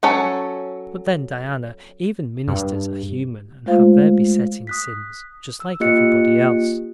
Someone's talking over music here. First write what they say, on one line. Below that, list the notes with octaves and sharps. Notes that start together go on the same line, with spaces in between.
But then, Diana, even ministers are human and have their besetting sins just like everybody else.
F#3 C#4 A4 C#5
G2
G#3 A3 F4 C5 F5
D#6 F#6 B6
E6
A#3 F4 G4 D#5 F#6 C#7